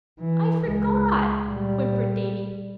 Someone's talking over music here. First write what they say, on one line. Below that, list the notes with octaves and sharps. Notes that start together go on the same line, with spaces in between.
"I forgot," whimpered Davy.
E3
C#2 G#3
A#2 G3